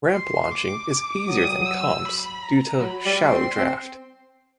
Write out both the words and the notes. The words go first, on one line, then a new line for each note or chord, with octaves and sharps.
Ramp launching is easier than comps due to shallow draft.
C6
D6
F#3 D#6
G3
F#3
E6
B5
A#5
F#3 B5
G3
C6
C4
C4